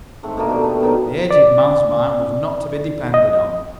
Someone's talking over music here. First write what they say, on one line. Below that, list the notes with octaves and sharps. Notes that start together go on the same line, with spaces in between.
The aged man's mind was not to be depended on.
G#2 A3 C4
B2 D3 A3 A#3
B2 G3
B3
D#3 F#3 A#3 B3
D5
D#5